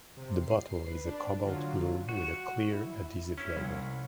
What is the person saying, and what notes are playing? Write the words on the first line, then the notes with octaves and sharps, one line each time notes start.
The bottle is a cobalt blue with a clear, adhesive label.
C3
C7
B4
D4
D3 F#3 F4
F#4
E4
C#4 E4
C2